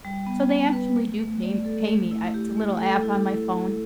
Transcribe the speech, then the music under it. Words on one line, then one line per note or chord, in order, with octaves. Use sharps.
So they actually do pay m pay me, I it's a little app on my phone,
G3
B3
B3
B4
A3
A3
D5
A4
A3
E4
G4
A3
A4
E4
E4
E4